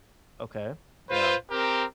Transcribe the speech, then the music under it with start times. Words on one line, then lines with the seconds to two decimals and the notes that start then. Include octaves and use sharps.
Okay. Yeah.
1.10 F4 B4 C5
1.51 C4 G4 A#4